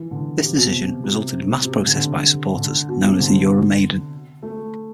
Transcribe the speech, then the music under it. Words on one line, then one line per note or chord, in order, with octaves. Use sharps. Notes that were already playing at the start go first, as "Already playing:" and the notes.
This decision resulted in mass protests by its supporters, known as the "Euromaidan".
Already playing: E3
D3
C3
B2
C3
C3
C3
D3
D3
D3
B2
C3
D3
A3